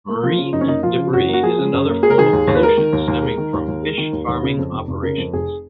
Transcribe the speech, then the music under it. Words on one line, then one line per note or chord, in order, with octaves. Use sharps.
Marine debris is another form of pollution stemming from fish farming operations.
A#3
F3 F4
C#3
F#2 D#4
C#4
A#3 D#4
F3 F4
C#3
F#2 F#4
A#3 F#4
F3 G#4
C#3
F#2
A#3
G#3 G#4
A#4
D#3 G#4
D#2
D#2
B4
G#3 A#4
D#3
D#2
D#2
G#3
D#3
D#2
D#2
G#3
D#3
D#2
D#2
C#3
F2
F1
F1
C#3 A#4
F2
F1 G#4